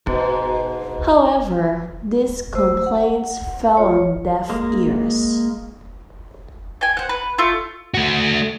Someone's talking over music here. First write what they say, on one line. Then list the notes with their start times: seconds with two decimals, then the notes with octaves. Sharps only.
However, these complaints fell on deaf ears.
0.06 G#2 B2
2.55 A3 C5 E6
2.86 F#5
3.77 F4 C#5
4.49 G#3 A#3
6.81 G5 G#5
6.97 C5 F#5
7.09 B4
7.38 A3 F4
7.94 A3 F#4